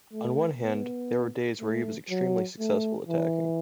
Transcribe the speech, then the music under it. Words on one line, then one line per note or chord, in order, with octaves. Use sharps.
On one hand, there were days when he was extremely successful attacking.
A3
B3
A3
F#3
A3
E3